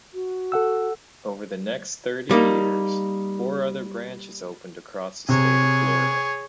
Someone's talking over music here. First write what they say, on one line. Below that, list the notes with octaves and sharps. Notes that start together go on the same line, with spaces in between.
Over the next thirty years, four other branches opened across the state of Florida.
F#4
A4 F#5 E6
G3 A#3 D#4
C3 G#4 C#5